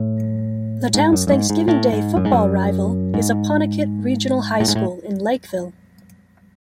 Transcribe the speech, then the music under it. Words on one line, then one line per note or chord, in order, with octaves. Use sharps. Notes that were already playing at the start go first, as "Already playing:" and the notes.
The town's Thanksgiving Day football rival is Apponequet Regional High School, in Lakeville.
Already playing: A2
G#2
F#2
F#2
G#2
G#2
A2
G#2
F#2
G#2
F#2
G#2
A2
G#2
A2